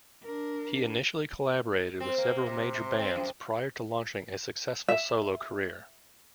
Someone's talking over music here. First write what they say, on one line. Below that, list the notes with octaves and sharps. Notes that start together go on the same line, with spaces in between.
He initially collaborated with several major bands, prior to launching a successful solo career.
D4 A#4
C4
A#3
C3
C3
C4
F#2
E5